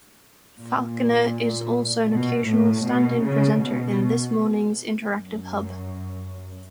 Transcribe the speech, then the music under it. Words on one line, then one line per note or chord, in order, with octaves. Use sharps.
Falconer is also an occasional stand-in presenter in "This Morning's" interactive "hub".
A#2
B2
A2
B2
C#3
B2
F#2